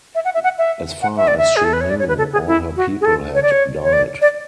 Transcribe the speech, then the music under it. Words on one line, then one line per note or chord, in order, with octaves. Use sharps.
As far as she knew, all her people had died.
E5
F#5
E5
F#5
E5
F#5
E5
D5
E5
G#4
A4
B4
C#5
D5
C#5
B4
A4
G#4
E4
F#4
G#4
A4
C#5
D5
C#5
C#5
D5
D5